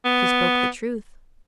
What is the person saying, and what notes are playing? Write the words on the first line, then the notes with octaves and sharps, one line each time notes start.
She spoke the truth.
B3